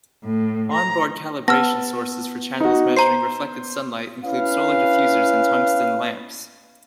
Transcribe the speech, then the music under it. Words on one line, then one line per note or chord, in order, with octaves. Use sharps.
Onboard calibration sources for channels measuring reflected sunlight include solar diffusers and tungsten lamps.
A2
A#5
B3 A5 E6 F6 A#6
D#4 F#4
C5 A#5 C7
C#4 E4 B4 F5